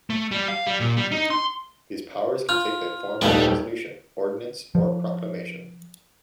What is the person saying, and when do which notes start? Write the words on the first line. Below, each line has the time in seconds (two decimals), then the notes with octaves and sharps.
These powers can take the form of a resolution, ordinance or proclamation.
0.10 A3
0.31 G3
0.48 F5
0.67 G3
0.80 A#2
0.97 G3
1.12 D#4
1.30 C6
2.49 F4 F6
3.22 D#1 C2 G3 A3 B3 D#4 B4
4.75 F3